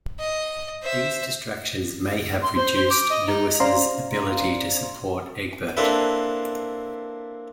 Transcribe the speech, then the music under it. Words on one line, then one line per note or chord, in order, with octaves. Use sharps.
These distractions may have reduced Louis's ability to support Egbert.
D#5
C5 E5
C6
C5
C5
D6
D#5
D#4
C#4 C5 D5 F5 A#5 C6
A#3 C4 D4 E4 A4 B4